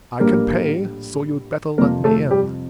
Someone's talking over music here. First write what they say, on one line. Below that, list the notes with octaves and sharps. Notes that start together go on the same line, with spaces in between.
I can pay; so you'd better let me in.'
A#1 A2 G3 A#3 A#4
F2 C3 F3 A#3 A#4
A3 A4
G3 G4